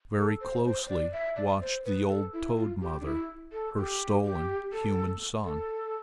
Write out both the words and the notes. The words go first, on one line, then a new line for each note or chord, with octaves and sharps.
Very closely watched the old toad mother her stolen human son.
A4
C5
C5
C5
D5
E5
D5
C5
B4
A4
E4
F4
G4
D4
E4
A4
G4
G4
A4
A4